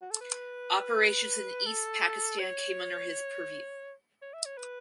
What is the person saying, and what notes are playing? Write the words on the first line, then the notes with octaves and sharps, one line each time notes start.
Operations in East Pakistan came under his purview.
F#4
A4
B4
A4
C#5
C#5
E5
C#5
B4